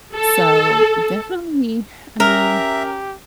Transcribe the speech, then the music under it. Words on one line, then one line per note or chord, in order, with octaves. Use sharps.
So, definitely, I mean
A4
C#4 G4 A#4 E5 A#5